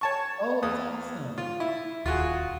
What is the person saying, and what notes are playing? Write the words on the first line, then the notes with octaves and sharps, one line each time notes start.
Oh, that's awesome!
C#5 A5 C#6
E2 D#6
F4
E4
D#1 F4 F#4 G#4